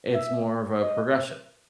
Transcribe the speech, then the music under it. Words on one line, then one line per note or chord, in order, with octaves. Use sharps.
It's more of a progression.
E5
D#5